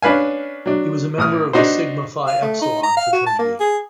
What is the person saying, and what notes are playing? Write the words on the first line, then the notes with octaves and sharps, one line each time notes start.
He was a member of the Sigma Phi Epsilon Fraternity.
C#4 D4 B4 F5 G#5
F#3 D4
A1 D#6 F6
D4 D#4 F#4 C5
F5
A3
D#4
A#5
F5
F#4
A5
A#3
G#4